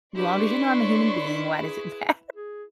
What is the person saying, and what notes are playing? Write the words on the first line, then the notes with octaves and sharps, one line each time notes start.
"Long as you know I'm a human being, why does it matter?
D4 E4 G4 B4 D5 C6 C#6
C#5
G#4
G#4